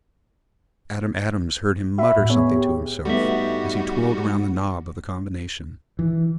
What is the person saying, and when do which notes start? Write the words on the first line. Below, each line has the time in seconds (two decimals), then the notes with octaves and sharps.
Adam Adams heard him mutter something to himself as he twirled around the knob of the combination.
1.98 F#4 E5 B5
2.18 A2
2.30 B3 G#4 C#5
2.51 G4
3.05 G2 G3 A3 B3 D#4 F#4 E5
5.99 E3